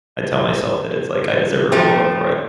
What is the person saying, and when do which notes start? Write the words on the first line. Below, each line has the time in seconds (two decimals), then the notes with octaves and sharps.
I tell myself that it's like, "I deserve a reward for it."
1.72 F3 A3 C4